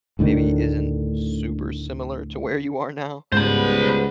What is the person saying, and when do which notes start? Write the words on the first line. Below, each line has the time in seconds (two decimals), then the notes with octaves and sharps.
maybe isn't super similar to where you are now.
0.19 D2 A2 D3 D#3
3.32 C#2 G#2 G3 B3 C5 B5